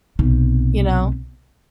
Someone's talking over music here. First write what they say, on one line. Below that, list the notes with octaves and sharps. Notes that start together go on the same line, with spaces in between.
you know?
B1 C3